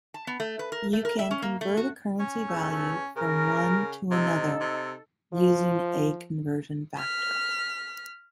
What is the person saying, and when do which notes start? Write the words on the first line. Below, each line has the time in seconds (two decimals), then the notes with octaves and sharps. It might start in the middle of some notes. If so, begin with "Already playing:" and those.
You can convert a currency value from one to another using a conversion factor.
0.14 A5
0.27 B3
0.40 A3
0.59 B4
0.72 A#4
0.93 A3
1.05 A#4
1.19 E5
1.31 C#4
1.42 A#3
1.61 A3
1.77 F#4
2.20 C#4
2.49 E2 A3
3.17 C#3 A#4
4.11 C3 D#4 A4
4.61 C3
5.33 F3
6.97 F6 B6